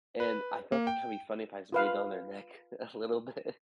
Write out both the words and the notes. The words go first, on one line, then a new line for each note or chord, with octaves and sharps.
and I thought, like, it can be funny if I breathe on their neck a little bit,
B4
A#3
G5
F4 B4 F5